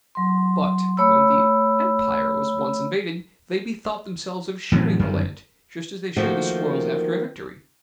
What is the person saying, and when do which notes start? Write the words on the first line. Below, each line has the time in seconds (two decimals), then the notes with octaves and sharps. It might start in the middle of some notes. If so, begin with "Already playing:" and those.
But, when the empire was once invaded, they bethought themselves of sharing the land, just as they shared spoils after a victory.
0.15 F#3 C6
0.97 A3 C#5 B5 E6
4.72 A2 C3 E3 F#3
4.99 G1 F#2 D#3 G3
6.16 D#3 F3 A3 A#3 F#4